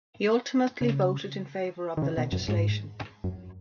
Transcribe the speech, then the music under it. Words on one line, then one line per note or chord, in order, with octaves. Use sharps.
He ultimately voted in favor of the legislation.
C#3
D#3
C#3
B2
F#2
G#2
F#2